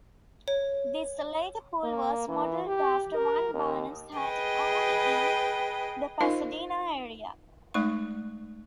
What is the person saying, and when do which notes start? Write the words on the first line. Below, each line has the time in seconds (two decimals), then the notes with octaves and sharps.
This later pool was modeled after one Barnes had owned in the Pasadena area.
0.48 C#5
1.84 A#3
2.28 E3
2.67 G4
3.15 A#4
3.54 D#2
4.18 G#4 B4 D#5 G5
6.21 D#4 F4 A#4 C5 D#5 F5
7.74 G#3 A3 D#4 F#5 C#6